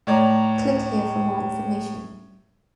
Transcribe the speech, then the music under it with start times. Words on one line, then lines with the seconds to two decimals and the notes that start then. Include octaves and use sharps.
Click here for more information.
0.07 A2 C#5 D5 A#5